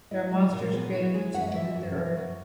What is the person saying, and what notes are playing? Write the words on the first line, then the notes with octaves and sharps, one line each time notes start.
The are monsters created to pollute the Earth.
E4 D#5
G#3
A#2
A#4
B3 G#4
E4 F#4
G#3 G#4
F#2 F#5
E5
D#5
E3 E5
F#2
A#3
F#2